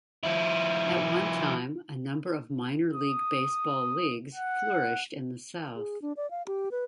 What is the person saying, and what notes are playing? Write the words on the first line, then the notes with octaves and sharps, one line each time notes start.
At one time a number of minor league baseball leagues flourished in the South.
F3 E4
D#6
F#5
G#4
D4
D5
F5
G4
B4